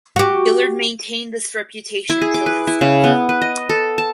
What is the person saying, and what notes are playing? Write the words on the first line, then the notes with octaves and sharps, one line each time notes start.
Gillard maintained this reputation until his death.
F#4 G4
E4
G#4
D6
B4
E4
C#3
B3
B4
D#5
A4
A5